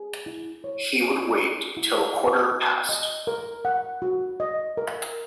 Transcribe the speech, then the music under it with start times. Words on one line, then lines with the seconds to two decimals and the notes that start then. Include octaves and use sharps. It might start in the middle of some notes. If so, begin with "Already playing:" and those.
He would wait till a quarter past.
Already playing: G#4
0.26 E4
0.64 C#5
1.02 C#4
1.39 G#4
1.77 E4
2.14 F#5
2.52 F#4
2.89 D#5
3.27 A#4
3.65 F#5
4.02 F#4
4.40 D#5
4.77 A#4